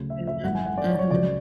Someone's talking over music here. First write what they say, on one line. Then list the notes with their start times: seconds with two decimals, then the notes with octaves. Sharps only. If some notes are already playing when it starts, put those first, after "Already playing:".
Mhm. Mhm.
Already playing: D2 C#3 F#3
0.10 E5
0.27 E5
0.44 G#1 F#2 E3 F#5
0.55 G#5
0.66 F#5
0.78 D5
0.89 C#5
0.99 C#5
1.10 C#2 C#3 F#3 D5